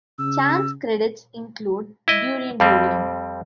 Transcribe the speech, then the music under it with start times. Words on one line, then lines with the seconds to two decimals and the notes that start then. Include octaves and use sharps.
Chan's credits include "Durian Durian".
0.19 C#3 E6
2.08 E4 D#5
2.60 F2 G3 C4